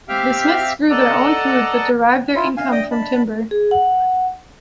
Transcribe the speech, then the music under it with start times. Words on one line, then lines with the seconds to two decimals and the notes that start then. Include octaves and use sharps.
The Smiths grew their own food but derived their income from timber.
0.09 C4 G4 E5 F5 G5 F6
0.90 A4 D5 D#5 F#5 A5 A#5
2.36 E4 F4
2.57 D4 E5 F5 G#5
2.72 D5 D#5 G5 D#6
2.91 D#5 A5 B5
3.51 G#4
3.71 F#5